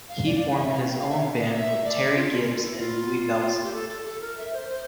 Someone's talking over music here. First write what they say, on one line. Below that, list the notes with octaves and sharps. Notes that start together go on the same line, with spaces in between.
He formed his own band with Terry Gibbs and Louie Bellson.
F5
D5
D5
E5
F5
G5
F5
E5
F5
D5
E5
D5
F4
F4
F4
E4
F4
G4
A4
A4
A4
A#4
E5
C5
C5